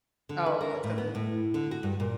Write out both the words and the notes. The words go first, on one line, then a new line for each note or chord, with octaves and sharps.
Oh yeah, to them
D3
B4
A#4
A2
B3
A2
D3
F#4
G2
A#2